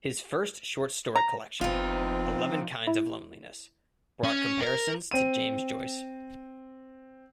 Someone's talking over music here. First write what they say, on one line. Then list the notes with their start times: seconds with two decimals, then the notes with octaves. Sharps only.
His first short story collection, "Eleven Kinds of Loneliness", brought comparisons to James Joyce.
1.15 A#5
1.61 F#1 E2 F3 C4 D#4 F4
2.87 E4
4.24 C#4
4.61 A#4
5.11 C4 D#7